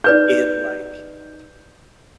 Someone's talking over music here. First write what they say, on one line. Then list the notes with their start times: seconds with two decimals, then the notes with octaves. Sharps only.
in, like
0.04 D#4 G#4 B4 D5 G6